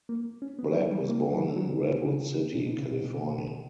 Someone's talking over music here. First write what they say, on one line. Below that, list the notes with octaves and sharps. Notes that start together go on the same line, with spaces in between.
Black was born in Redwood City, California.
A#3
C#4
B3
F#3
G3
A#3
F#3
F#3
D3
C#3
C#3
B2
B2
C#3
B2
B2